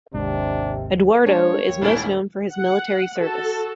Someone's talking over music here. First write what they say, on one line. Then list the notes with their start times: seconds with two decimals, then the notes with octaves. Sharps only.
Eduardo is most known for his military service.
0.14 G#1 D#2 C3 G#3 D4
1.26 G#3 D4 C#5 D5
1.68 D#2 G5
1.81 A#1 G2 G3 A3 C#4 E4
2.52 F#5
3.17 F#4 A4